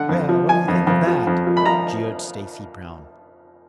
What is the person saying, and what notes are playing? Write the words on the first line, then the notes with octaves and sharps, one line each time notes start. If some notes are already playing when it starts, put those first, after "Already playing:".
"Well, what do you think of that?" jeered Stacy Brown.
Already playing: D3 F#5
F2
F3
F3 G#5
F2
F2
F3
F2
F3
B5
F3 A#5